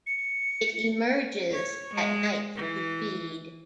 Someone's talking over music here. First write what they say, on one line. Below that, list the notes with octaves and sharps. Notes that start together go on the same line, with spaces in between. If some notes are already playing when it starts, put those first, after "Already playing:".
It emerges at night to feed.
C#7
C#5
G#3
E3